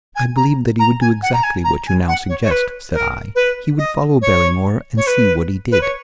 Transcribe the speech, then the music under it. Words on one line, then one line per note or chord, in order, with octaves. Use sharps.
"I believe that he would do exactly what you now suggest," said I. "He would follow Barrymore and see what he did."
G#5
A#5
A#5
G#5
F#5
A#5
G#5
A#5
G#5
F#5
C#5
C#5
B4
A#4
B4
D#5
C#5
C#5
B4
B4
C#5